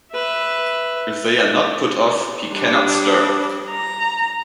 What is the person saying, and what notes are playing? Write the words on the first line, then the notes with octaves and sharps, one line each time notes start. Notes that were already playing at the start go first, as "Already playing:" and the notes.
If they are not put off, he cannot stir.
B4 E5
G3 D4
A#5